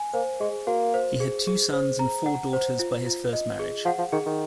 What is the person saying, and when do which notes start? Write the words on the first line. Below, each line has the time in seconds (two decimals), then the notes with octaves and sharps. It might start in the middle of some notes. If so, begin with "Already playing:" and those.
He had two sons and four daughters by his first marriage.
Already playing: G#5
0.13 A#3 C5
0.40 G#3 G#4
0.67 A#3 F#4
0.94 C5
1.20 G#4
1.47 G#4
1.73 C5
1.99 A#5
2.26 F#5
2.53 C5
2.79 F4
3.06 F4
3.33 D#5
3.59 G#4
3.85 F3 F#5
3.98 F3
4.12 D#3 G#4
4.26 D#3